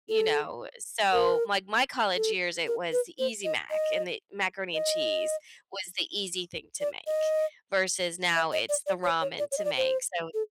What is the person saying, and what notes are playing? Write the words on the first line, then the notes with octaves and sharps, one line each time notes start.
you know? Eh, so, like, my college years, it was the Easy Mac, and the macaroni and cheese was the easy thing to make, versus now it's the ramen to make, so
A4
A#4
A4
A#4
B4
C5
D#5
D#5
D#5
D5
D#5
E5
D#5
D5
D5
C#5
C#5
D5
C#5
D#5
D5
C5
A4